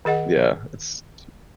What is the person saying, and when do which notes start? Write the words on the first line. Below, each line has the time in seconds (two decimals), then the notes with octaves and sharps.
Yeah, it's t
0.05 D#3 G#4 D#5 F#5